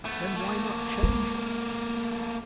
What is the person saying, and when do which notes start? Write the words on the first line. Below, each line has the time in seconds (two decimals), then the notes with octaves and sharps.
"Then why not change it?"
0.05 A3 B3
0.36 A3 A#3
1.03 G#3